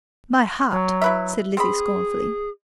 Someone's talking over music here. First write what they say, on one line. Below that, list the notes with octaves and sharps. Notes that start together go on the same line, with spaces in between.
"My heart!" said Lizzie scornfully.
F#3
E4 B4 E5
C4 G#4 B5